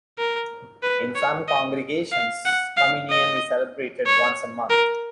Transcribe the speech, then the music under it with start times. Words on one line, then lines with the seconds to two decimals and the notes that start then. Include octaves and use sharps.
In some congregations communion is celebrated once a month.
0.18 A#4
0.83 B4
1.15 C#5
1.48 D#5
2.12 F5
2.45 F#5
2.77 F5
3.09 D#5
4.06 C#5
4.70 A#4